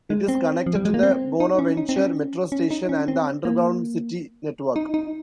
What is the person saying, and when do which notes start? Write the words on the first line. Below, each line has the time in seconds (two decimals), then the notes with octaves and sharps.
It is connected to the Bonaventure metro station and the underground city network.
0.10 G#3
0.28 C4
0.66 F3
0.75 G3
0.85 G#3
0.94 A#3
1.03 C4
1.40 D#4
1.59 C#4
1.77 D#4
1.89 C4
1.96 C#4
2.52 C#4
2.71 D#4
2.89 C#4
3.08 C4
3.45 A#3
4.76 D#4
4.94 D#4